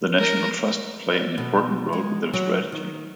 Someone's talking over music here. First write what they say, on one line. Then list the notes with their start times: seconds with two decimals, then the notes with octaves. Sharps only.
The National Trust play an important role with their strategy.
0.19 A#4
1.38 B2
1.93 G#3
2.33 F#3
2.72 D#3